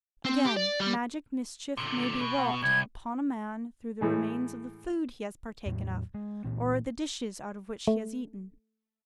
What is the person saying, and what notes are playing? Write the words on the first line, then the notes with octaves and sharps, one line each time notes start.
AGAIN, magic mischief may be wrought upon a man through the remains of the food he has partaken of, or the dishes out of which he has eaten.
C4
G4
D5
G3
A#2 D3
B2
F#5
C2 G#6
A2 E3 G#3
E2 A2 F#3
G#3
A#2 E3 C4
A3